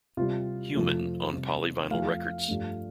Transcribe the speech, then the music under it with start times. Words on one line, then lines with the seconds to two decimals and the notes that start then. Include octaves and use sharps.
Human on Polyvinyl Records.
0.17 C3 G3 F4
0.75 F2 C3 F3 A3
1.33 C3 G3
1.90 F2 F3 A3 F5
2.48 G2 F3 A3